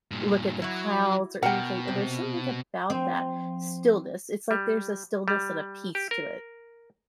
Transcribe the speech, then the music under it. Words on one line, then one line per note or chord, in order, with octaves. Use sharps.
look at the clouds, or anything, and there's something about that stillness, it's like there's a stillness, and a peace to it.
G2 A#2
F#3 E4 F#4
B2 A#4 F#5 G5
C3
F3 C4 C5
G3
G3
G4
A#4